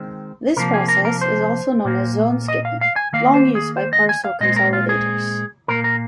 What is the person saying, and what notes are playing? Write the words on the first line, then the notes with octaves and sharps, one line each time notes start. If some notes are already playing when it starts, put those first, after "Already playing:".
This process is also known as zone skipping, long used by Parcel Consolidators.
Already playing: D#3 G#3 C4
C3 F3 A#3 A#4
G#4
A#4
A#4
C5
A#2 A#3
D#5
F5
F5
G#5
D#3 A#3 F5
C5
G#4
C5
D#5
G#5
F5
A#2 G#3 C4 D#5
A#4
F4
G#4
A#2 A#3 A#4
A#4